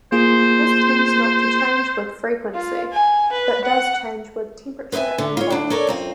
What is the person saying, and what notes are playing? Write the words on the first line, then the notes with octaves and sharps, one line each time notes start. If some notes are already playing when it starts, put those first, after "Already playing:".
This tends not to change with frequency, but does change with temperature and voltage.
A#3 F4 G#4 C5
F4
G#5
B4
F#5
B4 C5 D#5 E5 G#5
D3
F4 C#5
D2 D4
A4 A#4 C#5 D5
F#2 C4 F4